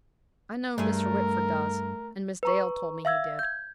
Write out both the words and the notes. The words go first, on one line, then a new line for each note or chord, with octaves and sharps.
I know Mr. Whitford does. And Miss Dale told me he did.
G2 A3 G#4 A#4
B4 A#5 C#6
E5 F5 E6 G#6
G6 G#6